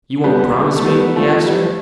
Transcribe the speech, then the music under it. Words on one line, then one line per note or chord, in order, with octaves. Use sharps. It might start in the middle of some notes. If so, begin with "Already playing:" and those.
"You won't promise me?" he asked her.
G3 B3
A3
G3 B3
F3 A3
G3